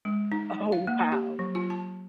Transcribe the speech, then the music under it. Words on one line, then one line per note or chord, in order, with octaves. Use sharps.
Oh, wow.
G#3
D#4
F5
A#3
G4
F#3
F4
A5